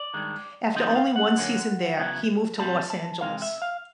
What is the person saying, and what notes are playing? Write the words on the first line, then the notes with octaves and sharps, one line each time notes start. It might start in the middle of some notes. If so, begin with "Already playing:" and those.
After only one season there, he moved to Los Angeles.
Already playing: D5
G2 D#3 G#3
F#2 D#3 G3 C4 D#4 D#5
F5
F#5
F#2 D3 F#3 A#3 C#4
C#3 F#3 B3 E4
A#2 G3 C4 A5
A5
C3 E3 G#3 F5
E5
F5